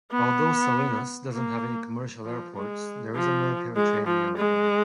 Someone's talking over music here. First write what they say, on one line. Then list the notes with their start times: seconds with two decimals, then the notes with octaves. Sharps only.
Although Salinas doesn't have any commercial airports, there is a military training area there.
0.12 B3
1.33 A#3
2.25 F3
2.55 G#3
3.15 F3
3.76 G#3
4.06 F3
4.37 G#3